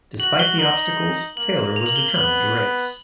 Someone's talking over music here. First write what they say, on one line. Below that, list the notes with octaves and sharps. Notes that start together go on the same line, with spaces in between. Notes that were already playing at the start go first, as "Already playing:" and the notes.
Despite the obstacles, Taylor was determined to race.
F#4 F#7
G7
D#4 F#7
A#3 F#7
F7
F#7
G7
G7
B3 F#7